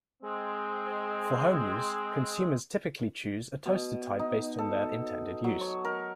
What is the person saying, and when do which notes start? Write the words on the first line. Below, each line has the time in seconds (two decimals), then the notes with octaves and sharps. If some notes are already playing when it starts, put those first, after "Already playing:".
For home use, consumers typically choose a toaster type based on their intended use.
0.22 G#3 C4
3.66 B2
4.19 D#4
4.58 A4
5.44 F#3
5.61 C#5
5.85 A#4